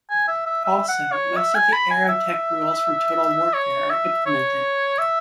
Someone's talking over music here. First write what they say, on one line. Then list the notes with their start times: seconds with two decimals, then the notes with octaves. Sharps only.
Also, most of the "AeroTech" rules from "Total Warfare" are implemented.
0.10 G#5
0.28 E5
0.46 E5
0.64 E5
0.89 F#5
1.12 C#5
1.36 E5
1.55 G#5
1.73 B5
1.91 G#5
2.09 E5
3.54 C#5
3.90 E5
4.26 C#5
4.99 E5